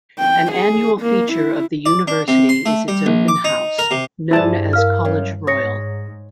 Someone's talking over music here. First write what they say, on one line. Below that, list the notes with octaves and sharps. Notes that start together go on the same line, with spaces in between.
An annual feature of the university is its open house, known as College Royal.
G5
G#4
A#3
E4
D5
D4
C3
C6
A3
G3
A#1
D6
D#4
A#4
C3
G2 G3 E4 G#4 C5 A5
A#4 F5 F6
F#2
G#2 C#5 D#6 A#6 C#7